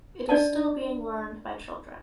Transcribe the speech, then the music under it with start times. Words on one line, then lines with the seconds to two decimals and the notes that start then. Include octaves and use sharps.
It is still being learned by children.
0.29 D4 D5 D#5 A5